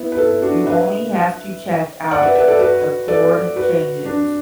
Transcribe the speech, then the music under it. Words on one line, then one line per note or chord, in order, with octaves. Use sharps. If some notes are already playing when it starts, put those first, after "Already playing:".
You only have to check out the chord changes.
Already playing: B3 E4
B4
E4 A4
D4 F#4
B4 E5
D5 F#5
B4 E5
B4 E5
A4 D5
F#4 B4
A4 D5
F#4 B4
D4